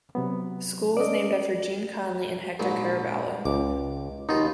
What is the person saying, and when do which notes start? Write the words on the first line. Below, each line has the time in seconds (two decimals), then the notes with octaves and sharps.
The school was named after Jean Conley and Hector Caraballo.
0.15 C3 F#3 B3
0.97 G#3 C#4 D5 D#5
2.60 A#1 G#2 B2
3.45 C#2 D6
4.29 D#2 B2 D#4 F4